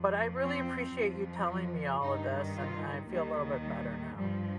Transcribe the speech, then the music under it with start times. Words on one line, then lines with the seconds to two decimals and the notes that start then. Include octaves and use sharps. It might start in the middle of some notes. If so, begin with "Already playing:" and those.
But, I really appreciate you telling me all of this, and I feel a little bit better now.
Already playing: F2 F3
0.41 C4
0.95 F2 F3
2.02 G2 D#3 D#4
2.57 F4
3.10 D#2 D#3 G3
3.64 G3
4.18 G2 F3 G3